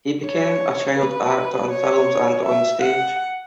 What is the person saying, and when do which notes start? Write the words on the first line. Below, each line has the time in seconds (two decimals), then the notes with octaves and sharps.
He became a child actor in films and onstage.
0.24 C#5
0.98 B4
1.71 C#5
2.46 E5
2.82 F#5